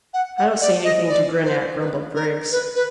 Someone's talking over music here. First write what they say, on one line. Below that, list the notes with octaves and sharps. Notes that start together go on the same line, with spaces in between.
"I don't see anything to grin at," grumbled Griggs.
F#5
F#5
D5
D#5
D5
C5
B4
A#4
B4
B4